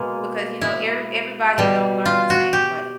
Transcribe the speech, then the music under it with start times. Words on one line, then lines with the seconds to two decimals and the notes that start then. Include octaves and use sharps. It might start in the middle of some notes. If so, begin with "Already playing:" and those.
because, you know, every everybody don't learn the same way
Already playing: B2 G#3 A#3
0.61 E4
1.58 B2 G3
2.06 F4
2.30 F#4
2.53 G4